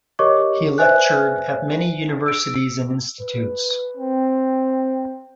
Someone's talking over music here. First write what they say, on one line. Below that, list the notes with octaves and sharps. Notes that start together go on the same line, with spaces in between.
He lectured at many universities and institutes.
G4 A#4 C#5 D#5 C#6 D6
B4 C5 D5 E5 G#5 F#6
E6 D7
B4
C4